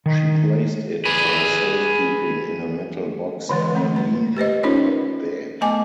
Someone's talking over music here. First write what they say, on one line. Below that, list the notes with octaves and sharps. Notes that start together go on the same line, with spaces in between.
She placed it for safekeeping in a metal box underneath her bed.
D#3
G#4 B4
D3 E3 G#3 B4
A3 C4
B4
G4 B4 C5 D#5
C#4 D#4 F4 A#4 C5 C#5
A3 B3 D#5 G#5 A5 D6